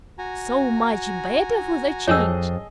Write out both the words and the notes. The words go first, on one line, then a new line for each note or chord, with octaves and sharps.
So much better for the change!
F#4 G#5 A#5
F2 G#4 C#5 D#5 E6